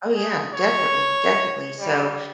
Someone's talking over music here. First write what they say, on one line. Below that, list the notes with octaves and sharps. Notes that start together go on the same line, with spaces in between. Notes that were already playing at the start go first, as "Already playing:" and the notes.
Oh, yeah, definitely, definitely, so,
G#4
C#5
G3